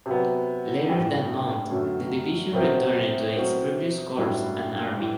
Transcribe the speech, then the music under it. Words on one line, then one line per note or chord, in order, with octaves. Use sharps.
Later that month the division returned to its previous corps and army.
C3 F#3 B3
A1 G2 E3 A3
F#2 D3 F#3 A3
C2 B2 F#3 C4
B2 F#3 C4
A1 G2 F#3 A3 E4
A2 E3